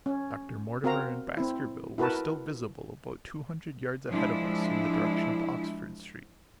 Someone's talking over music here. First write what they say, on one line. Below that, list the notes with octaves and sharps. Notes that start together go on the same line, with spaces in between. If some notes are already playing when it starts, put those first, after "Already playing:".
Dr. Mortimer and Baskerville were still visible about two hundred yards ahead of us in the direction of Oxford Street.
C#4
C4 F#4 A#4 F5 A#5
C4 E4
E4 F#4 A#4 B4 A5
F3 G#3 D4 E4